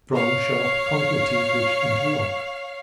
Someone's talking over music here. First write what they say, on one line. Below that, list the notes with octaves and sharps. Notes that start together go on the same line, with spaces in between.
Strong sharp conical teeth which interlock.
C#5 F5